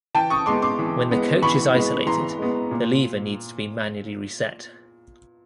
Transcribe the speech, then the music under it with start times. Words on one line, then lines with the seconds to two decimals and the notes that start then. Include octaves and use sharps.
When the coach is isolated, the lever needs to be manually reset.
0.15 E3 G5 A5
0.30 C#6 D#6
0.46 G#3 B3 C6 D6
0.62 C6 D6
0.79 E3
1.11 G#3 B3
1.42 E3 B5 C#6
1.75 G#3 B3
2.07 E3 A#5 C6
2.39 G#3 B3
2.71 A#2